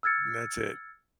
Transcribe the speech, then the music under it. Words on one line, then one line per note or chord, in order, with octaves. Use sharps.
That's it.
E6 F6 G#6 A6 C#7